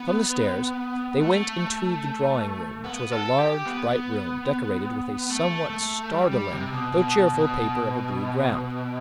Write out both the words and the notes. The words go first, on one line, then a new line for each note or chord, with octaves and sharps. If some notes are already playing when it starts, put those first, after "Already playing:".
From the stairs, they went into the drawing-room, which was a large, bright room, decorated with a somewhat startling though cheerful paper of a blue ground.
Already playing: B3
A3
B3
A4
G4
B3
A3
A3
G3
G3
C3
B2
B2
B2